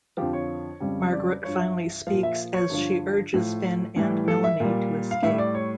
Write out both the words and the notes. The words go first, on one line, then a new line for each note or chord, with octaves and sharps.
Margaret finally speaks as she urges Finn and Melanie to escape.
F2 D3 F3 G4
C#5
F2 C#3 G3
D5
G2 F3 C#5
E5
A#2 F3 F5
E5
C#5
G2 D3 F3
A2 F3
A2 E3 G3
A4
E5
A#2 G3
F5
A2 G3 E5
D5
C#5